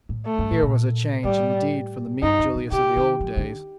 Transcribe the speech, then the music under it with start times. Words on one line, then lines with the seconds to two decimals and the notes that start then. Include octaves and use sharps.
Here was a change indeed from the meek Julius of the old days.
0.09 A2
0.26 A3
0.39 G2
0.51 A2
0.63 A#2
1.24 A2 G3
2.22 G2 D#4
2.39 F2
2.55 C3
2.72 C3 G4
2.96 D#3
3.21 F3
3.37 D3